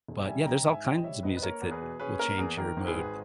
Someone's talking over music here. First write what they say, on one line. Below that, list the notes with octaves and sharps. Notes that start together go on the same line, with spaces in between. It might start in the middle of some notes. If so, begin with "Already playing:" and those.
But, yeah, there's all kinds of music that will change your mood.
E1
G3 E5 G#5
A#1 G5 A#5
G#2 E5 G#5
A#1 D#5 G5
G3 C#5 E5
A#1 B4 D#5
B4
A#3 A#4 C#5
E2
G#4 B4
B2
C#4 G#4 B4
A#3 A#4
E2 G#4
D#3 A#4
G#1
G#4 B4
G#2